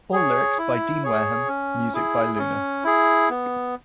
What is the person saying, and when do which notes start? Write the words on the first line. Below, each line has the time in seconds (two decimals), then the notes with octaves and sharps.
All lyrics by Dean Wareham, music by Luna.
0.13 G#4 C#5
0.58 E4
1.04 G#4 C#5
1.48 C#4
1.94 E4 G#4
2.39 C#4
2.84 E4 G#4
3.30 B3